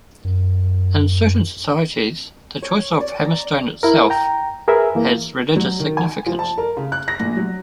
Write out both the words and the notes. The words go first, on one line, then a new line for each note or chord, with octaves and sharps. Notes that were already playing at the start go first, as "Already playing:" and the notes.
In certain societies, the choice of hammerstone itself has religious significance.
F#2
C#5
D5
A#5
E4 A#4
G5 A#5
G#4 A#4 B4 E5
E3 A#3
F#3
D#3
G#5
F3
A5
A#4
C#3
F#6
A#6
A#1
F#3